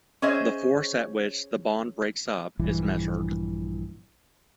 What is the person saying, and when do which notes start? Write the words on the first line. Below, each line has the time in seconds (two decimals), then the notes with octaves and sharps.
The force at which the bond breaks up is measured.
0.22 C#4 G#4 C5 D#5 E5
2.59 A#1 G2 E3